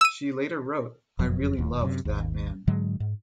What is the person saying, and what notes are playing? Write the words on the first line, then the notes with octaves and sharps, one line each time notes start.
She later wrote, I really loved that man.
E6 D#7
F#1 F2 F3 F#3
D1 D#2
F#2 C3
G#1 D#2
G#2 D3 F#3 G#3
G#2